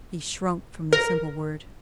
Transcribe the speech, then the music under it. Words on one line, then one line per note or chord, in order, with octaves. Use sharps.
He shrunk from the simple word.
A#4